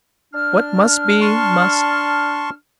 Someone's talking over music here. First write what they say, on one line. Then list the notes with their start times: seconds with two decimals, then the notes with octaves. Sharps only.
What must be, must....
0.34 D4 F6
1.21 A5 C6 C#6